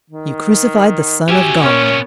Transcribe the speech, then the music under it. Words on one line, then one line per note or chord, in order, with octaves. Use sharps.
You crucified the Son of God.
D#3
C#4 F#4 G4 E5 G#5
A#2 B3 C#4 A#4 C#5